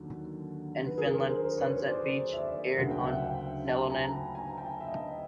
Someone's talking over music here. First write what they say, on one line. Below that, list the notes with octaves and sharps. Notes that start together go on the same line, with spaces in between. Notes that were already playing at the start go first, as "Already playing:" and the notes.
In Finland "Sunset Beach" aired on Nelonen.
Already playing: D#2 D3 F#3
B4
G#4 A#4
A#4 C5
B4 C#5
C5 D5
D5 E5
D2 C#3 F#3 F#5
G5
E5 F#5
F5 G5
G5 A5
G#5 A#5
A5 B5
G#5 A#5
G5 A5
E5
D#5 F5